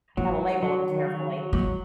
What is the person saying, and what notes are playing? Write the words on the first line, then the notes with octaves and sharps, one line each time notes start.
Gotta label 'em carefully.
F#3 G#3
F#3
F#3
D#3
F#3
F#3
F#3 G#3